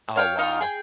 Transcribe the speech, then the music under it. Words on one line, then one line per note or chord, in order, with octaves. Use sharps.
Oh, wow.
C#5 F5 G5
D#4 F4 F5
G#4 G5